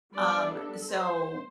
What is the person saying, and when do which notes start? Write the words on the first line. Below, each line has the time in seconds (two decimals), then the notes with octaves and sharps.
um, so,
0.14 G3 B3 D4 D5
0.53 A4
0.91 C5